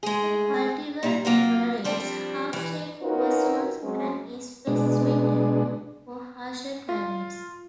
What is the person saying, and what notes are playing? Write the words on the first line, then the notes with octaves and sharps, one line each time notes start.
The cultivar tolerates half shade, poor soils and is well suited for harsher climates.
G#3 A3 G#4
A#2 G3 A#5
C3 F#3 A#3 F4
F3 G3 C4 D4 G4
E3 B4
C#4 D#4 F4 F#4 A#4 B4
F#3 G#3 C4 C#4
B2 G#3 D4
F4